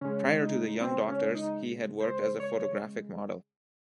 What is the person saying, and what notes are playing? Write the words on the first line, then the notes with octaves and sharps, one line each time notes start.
Prior to "The Young Doctors" he had worked as a photographic model.
C#3 G#3 C#4
D#4
C4
C#4
D#4
C5
C#5
C#5